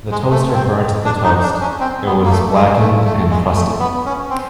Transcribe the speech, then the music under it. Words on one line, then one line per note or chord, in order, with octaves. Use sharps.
The toaster burnt the toast, it was blackened and crusty.
G#3
A3
C4
D4
D#4
D4
C#4
C4
B3
A#3
A3
G#3
A3
A3
G#3
A3
B3
C#4
C4